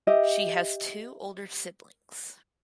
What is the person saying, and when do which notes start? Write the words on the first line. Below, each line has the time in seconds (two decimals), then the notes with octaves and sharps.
She has two older siblings.
0.07 G4 D#5 E5